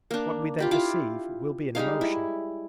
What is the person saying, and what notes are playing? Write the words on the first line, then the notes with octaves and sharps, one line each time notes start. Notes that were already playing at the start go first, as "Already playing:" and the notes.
What we then perceive will be an emotion.
A#3 D4
F4 G4 B5
E4 F4 F5 D6
G3 G#3 D#4 F5
E4